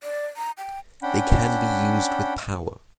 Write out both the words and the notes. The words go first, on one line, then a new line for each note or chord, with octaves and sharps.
They can be used with power.
D5
A#5
G5
C#4 D4 F#5 G5 B5